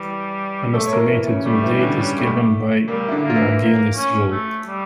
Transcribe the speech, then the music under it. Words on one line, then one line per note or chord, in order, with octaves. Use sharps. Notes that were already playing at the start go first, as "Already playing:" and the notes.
An estimated due date is given by Naegele's rule.
Already playing: E3 G3
A3 A4
C#5
A#3 A#4
E3 E4
C#3 C#4
G3 A3
E3 E4
C#4
D3 D4
C#3 C#4
A3
A#2 G3 A#3
E4
D3 D4
A#3
F4
E3 E4
A#3
C#4
A3
G3